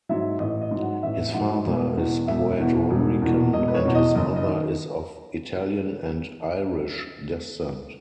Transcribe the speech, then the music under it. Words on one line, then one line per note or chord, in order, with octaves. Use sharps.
His father is Puerto Rican and his mother is of Italian and Irish descent.
G#2 F#3 E5
A1 D#5
D#5
G#2 F#3
F#5
A1 E5
G#2 F#3 F#5
E1
E2 B2
E1 E5
E2 B2
E1
E2 B2
E1 D#5
B4
C#5
E2 B2
D#5
F#1 D#5
D#5
D#3